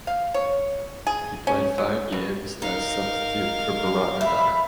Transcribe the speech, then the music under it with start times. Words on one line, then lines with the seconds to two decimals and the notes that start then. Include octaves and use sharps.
He played five games as substitute for Biratnagar.
0.07 F5
0.34 C#5
1.07 G#4
1.47 C#4
1.78 F#3
2.12 B2
2.62 D#4 A#4 F5
4.21 E5 B5